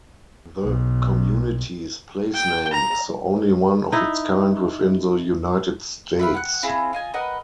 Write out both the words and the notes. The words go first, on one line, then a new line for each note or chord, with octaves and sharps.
The community's placename is the only one of its kind within the United States.
B1
G5
A#5
D#4 E4
B4 E5 F5
F#5 F#6
C4 E4 F4 G#4
F4 D#5 G#5
A#4 B4 D#5 F#5